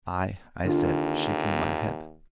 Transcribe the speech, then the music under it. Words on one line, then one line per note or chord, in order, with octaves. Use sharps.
"Aye!" I said, shaking my head.
D#2 D3 F4